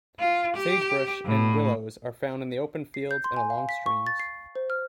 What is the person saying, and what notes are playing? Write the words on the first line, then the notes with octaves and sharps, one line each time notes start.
Sagebrush and willows are found in the open fields and along streams.
F4
G4
A2
C7
G6
C6
G#5
F5
B6
C#6
A6
C7
C5
F6